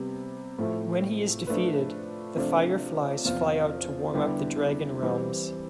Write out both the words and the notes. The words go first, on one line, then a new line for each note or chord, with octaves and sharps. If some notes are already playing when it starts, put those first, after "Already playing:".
When he is defeated, the fireflies fly out to warm Up the Dragon Realms.
Already playing: C3 G3 B3
A2 F3 A3 E4
F3 A3 D4 F4 B4
C3 F3 A3 D4 F4
E2 C3 F3 C4 F4
D3 G3 B3 E4 G4
E3 G3 C4 E4